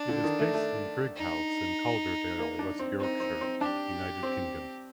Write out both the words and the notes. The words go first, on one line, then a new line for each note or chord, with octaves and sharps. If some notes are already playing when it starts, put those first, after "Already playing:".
It is based in Brighouse, in Calderdale, West Yorkshire, United Kingdom.
Already playing: D4
D3
D#3
A3
A3
D#4
A#3
D4
C4
C4 D#4
C4
C4
D4 G4
C4